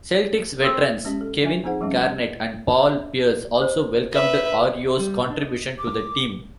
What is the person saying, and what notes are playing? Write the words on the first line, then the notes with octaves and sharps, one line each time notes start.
Celtics veterans Kevin Garnett and Paul Pierce also welcomed Arroyo's contribution to the team.
C4 A4 E6
G#3 C#4 G4 D#5
A4
F3 F4 D#5 E5 G#5
C4 D#4 G#4 C5 F#5
F3 G3 A3 C#4
C5
B4 E5
G3
A#2
D4
D#5
D6